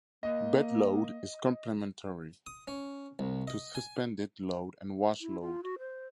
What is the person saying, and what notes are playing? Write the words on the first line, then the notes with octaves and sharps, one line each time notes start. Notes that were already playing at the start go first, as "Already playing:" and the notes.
Bed load is complementary to suspended load and wash load.
A#3 D#5
D#6
C#4
C2
D#5
G#5
E4
F4
F#4
C5